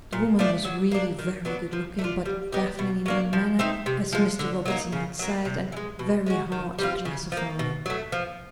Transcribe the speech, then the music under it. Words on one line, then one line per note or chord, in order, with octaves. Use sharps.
The woman was really very good-looking, but baffling in her manner, as Mr. Robinson had said, and very hard to classify.
A#2
F3 A3 D4
F#3
A#3 D4
D#3
F#3 B3 D4
F3
A3
D4 F4
G3
B3 D#4 G4
B2
F#3 A#3 D4
F3
A3 C4 D#4
C3
F3 G#3
D3
F#3 A#3 D#4
C#3
F#3 A#3
C3
E3
G#3
B2
G#3 C#4 F#4
D#3
G3 C4 F4
C#3
F3
A#3
B2
F#3 A3
F3